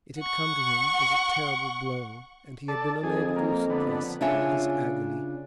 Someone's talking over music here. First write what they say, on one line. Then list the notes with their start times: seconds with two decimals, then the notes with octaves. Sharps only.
It had come to him as a terrible blow, and he had been unable to suppress his agony.
0.19 F#5 C#6
2.68 A4 D5 A5
3.04 F2 G#4
3.36 A#3
3.70 D3 B3
4.21 C#3 D4 F4 C#5 E5 G#5